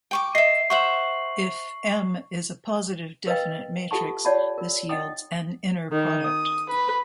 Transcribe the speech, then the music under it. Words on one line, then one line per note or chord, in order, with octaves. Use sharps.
If "M" is a positive definite matrix, this yields an inner product.
G5 C#6 D6
D#5 E5 C7
C5 E5 F#5 C#6 F#7
A#4 B4 D#5 F5 G5
F4 G4 A4 F#5 A5 C#6
F4 C#5 D5 F#5 A5 B5
F4 A#4
D#4 D#5 F#5 G5 D#6
D#3
D#6
B4